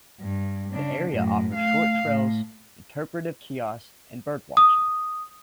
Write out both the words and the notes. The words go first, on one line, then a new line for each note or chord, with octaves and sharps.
The area offers short trails, interpretive kiosks, and birdwatching.
G2
C#3 D4
F#2 A2
A3 F5
A2
D#6